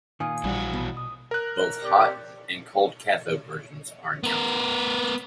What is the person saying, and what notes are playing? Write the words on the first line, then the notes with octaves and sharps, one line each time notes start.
Both hot- and cold-cathode versions are encountered.
A#2 D#3 F5 G#5 D#6
A#1 E3 G3 F#4
B2
D#6
A#4 F#6
C4 G4 D5
B3 A#4